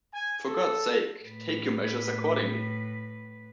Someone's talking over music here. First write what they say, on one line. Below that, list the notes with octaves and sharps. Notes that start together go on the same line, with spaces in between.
For God's sake, take your measures accordingly!
G#5
A4
A2 B4